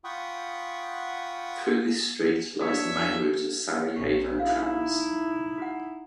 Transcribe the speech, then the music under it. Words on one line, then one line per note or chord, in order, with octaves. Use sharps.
Through this street lies the main route of Sarajevo trams.
F4 F#5 G5 B5 C#6 D#6
D4 G#4 C#5 E5
A#1 C3 A4 C#5 C#6
D#4 E4 F5
F#4 F#5